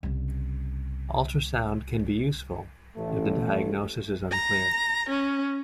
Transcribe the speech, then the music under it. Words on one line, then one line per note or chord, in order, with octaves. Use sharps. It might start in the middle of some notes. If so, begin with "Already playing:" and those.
Ultrasound can be useful if the diagnosis is unclear.
C2 C#3
A1 A3
A#5
C#4